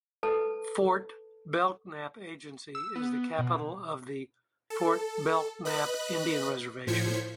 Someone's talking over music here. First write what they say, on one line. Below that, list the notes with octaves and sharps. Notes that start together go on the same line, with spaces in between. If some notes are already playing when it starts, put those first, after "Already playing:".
Fort Belknap Agency is the capital of the Fort Belknap Indian Reservation.
A4 B4 A5
E6
B3
B2
A4
B4 D#5 B5 F#6
A2 F3 C5 G#6 B6 C#7